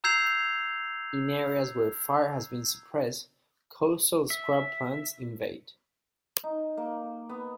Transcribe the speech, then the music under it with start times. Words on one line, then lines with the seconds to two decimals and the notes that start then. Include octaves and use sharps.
In areas where fire has been suppressed, coastal scrub plants invade.
0.04 A#5 E6 G6 G#6 C7 F7
4.30 E5
6.44 D#4
6.77 A#3
7.29 B3